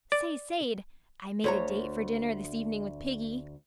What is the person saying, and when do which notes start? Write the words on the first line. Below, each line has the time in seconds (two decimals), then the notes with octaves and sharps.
"Say, Sade, I made a date for dinner this evening with Piggy."
0.12 D5
1.44 D2 C#5 A#5